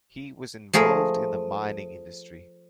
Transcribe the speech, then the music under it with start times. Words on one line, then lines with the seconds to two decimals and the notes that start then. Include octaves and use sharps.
He was involved in the mining industry.
0.73 F3 A3 G#4 A#4